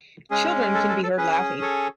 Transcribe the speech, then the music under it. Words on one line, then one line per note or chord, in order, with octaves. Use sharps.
Children can be heard laughing.
G#3 C#4 G#4
A4
A4
A4
C#4 G#4 B4
A4 C#5